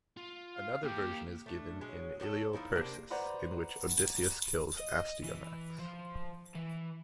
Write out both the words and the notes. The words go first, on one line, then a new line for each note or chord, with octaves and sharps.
Another version is given in "Iliou persis", in which Odysseus kills Astyanax.
F4
F5
A#3 G4 G5
A3 D4
F#3 G#3 C#4
A3 C#4 G4 A4
F3 G#3 D#4 E4
C3 A#3 D4
B4 C5 D5 F#5 A#5 B5
D#5
E3
F3
E3